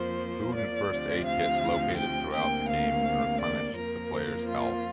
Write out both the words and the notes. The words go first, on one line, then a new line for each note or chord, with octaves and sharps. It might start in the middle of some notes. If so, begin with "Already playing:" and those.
Food and first-aid kits located throughout the game can replenish the player's health.
Already playing: F2 F3 A#3 C5
D5
D2 C3 F3
F5
G5
D2 C3 A#3 G5
F5
D5
F2 F3 A#3 A#4
F4